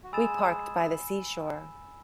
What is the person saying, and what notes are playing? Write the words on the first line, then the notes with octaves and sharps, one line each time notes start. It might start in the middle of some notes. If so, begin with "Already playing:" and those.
We parked by the seashore.
F#4
G#3 G#4 G#5 B5 E6 A6 E7